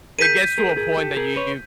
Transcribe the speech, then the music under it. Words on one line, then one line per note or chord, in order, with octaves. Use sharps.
It gets to a point that you
G#4 A#4 G6 B6 D#7
G#4 A#4
G#4 A#4
G4 A4
G#4 A#4
B4 C#5